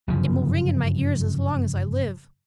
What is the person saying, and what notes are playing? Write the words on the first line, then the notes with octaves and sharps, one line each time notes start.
It will ring in my ears as long as I live.
G1 F#2 C#3 F3